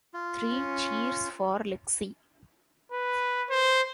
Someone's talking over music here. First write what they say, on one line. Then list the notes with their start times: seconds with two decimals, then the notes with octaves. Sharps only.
Three cheers for Lexi!
0.14 F4
0.50 C#4
2.92 B4
3.49 C5